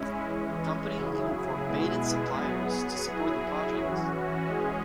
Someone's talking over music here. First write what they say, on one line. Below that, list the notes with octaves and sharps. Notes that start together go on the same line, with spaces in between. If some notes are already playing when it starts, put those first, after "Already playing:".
The company even forbade its suppliers to support the project.
Already playing: G#3 C#4 E4
E3 G#3 C#4
C#3 F#3 E4 G#4
B2 G#3 B3 E4 G#4
F#3 B3 G#4
F#3 E4 G#4
E3 C#4 F#4
G#3 C#4 G#4